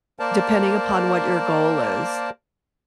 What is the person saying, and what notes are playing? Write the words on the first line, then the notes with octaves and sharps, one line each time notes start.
depending upon what your goal is,
A#3 A#4 C5 D5 A5